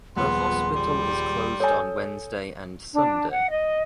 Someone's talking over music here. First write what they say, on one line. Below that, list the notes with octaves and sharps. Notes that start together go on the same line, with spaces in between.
The hospital is closed on Wednesday and Sunday.
D#1 F3 G#3 B3 C6
G3
A4 C#5 G#5 D#6 G6
D4
F#5
D#5